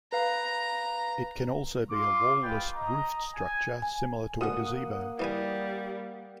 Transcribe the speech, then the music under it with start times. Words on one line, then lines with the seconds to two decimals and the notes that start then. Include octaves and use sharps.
It can also be a wall-less, roofed structure, similar to a gazebo.
0.13 B4 F5 A#5
1.91 F4 C6 D6
2.43 G#3 F4 B4 G5
2.76 D#5 A#5
3.35 G#5
3.82 G#5
4.41 D2 D3 A#3 F#5 D#6
5.20 E3 G3 B4 G#5